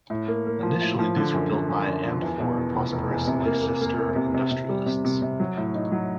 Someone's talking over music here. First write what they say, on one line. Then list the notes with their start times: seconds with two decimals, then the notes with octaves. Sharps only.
Initially these were built by and for prosperous Leicester industrialists.
0.10 A2
0.28 A#3
0.46 A#3
0.63 F3
0.81 A2
0.99 F3
1.16 D3
1.33 F#2
1.52 F#2
1.69 F#2
1.87 F#2
2.05 F3
2.22 E2
2.40 B2
2.57 E2
2.75 F1
2.93 F1
3.11 E2
3.27 C3
3.45 A#3
3.63 A#3
3.81 A#3
3.99 A#3
4.16 C3
4.34 C3
4.51 C3
4.69 G3
4.86 C3
5.05 C3
5.22 C3
5.40 F#3
5.57 A2
5.75 D#4
5.92 F#3